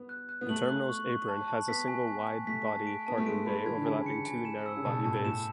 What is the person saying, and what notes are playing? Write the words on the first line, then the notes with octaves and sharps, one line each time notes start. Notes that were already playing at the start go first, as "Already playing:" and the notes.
The terminal's apron has a single wide-body parking bay overlapping two narrow-body bays.
Already playing: B3
F#6
F#6
B3
A3 F#7
F#6
C#6
C#6
A5
A5
B3 B6
G#5
G#5
G#5
A3 B6
A5
D7
B3 A5
A3
G#3 D7
G#3 B5
E3 G#6
D3
C#3 G#5
C#3
C#7
G#5
E7
E6
C#3
B2 A5
A2 A5
A2 E7